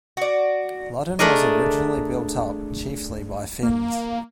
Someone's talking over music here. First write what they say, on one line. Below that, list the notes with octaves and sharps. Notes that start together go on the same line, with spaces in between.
Ludden was originally built up chiefly by Finns.
F#4 D5
A3 D4 G#4 A#4 D#5
A#3